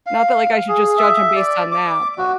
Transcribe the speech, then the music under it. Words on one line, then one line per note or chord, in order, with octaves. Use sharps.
Not that, like, I should just judge him based on that, but
F5
G#4
E5
D5
D6
F#4